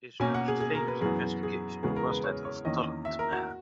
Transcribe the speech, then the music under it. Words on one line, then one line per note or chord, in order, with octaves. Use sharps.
His most famous investigation was that of the Tollund Man.
B2 A#3 C#4 G#5
F#5
G#4
G#4
A#4
B4
F#2 E3 B3 G#4
G#4
E2 C#3 G#3 B3 G#4
A#4
B4
C#5
C#5
E2 D#3 A#3 C#4 D#5
E5
A#4
F#4